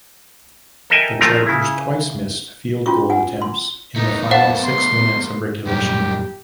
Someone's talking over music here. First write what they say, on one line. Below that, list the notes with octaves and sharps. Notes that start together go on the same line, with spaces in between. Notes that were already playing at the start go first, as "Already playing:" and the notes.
The Chargers twice missed field goal attempts in the final six minutes of regulation.
A4 A#4 D#5 E5 G5 G#5
F3 A3 F4 A#4
C#3 E4
C#4 F4 F#4 C#6
F#5 G#5
C6
A3 B3 D#4
C5 F5 F#5 A5
C6
F#2 A#2 G3 G4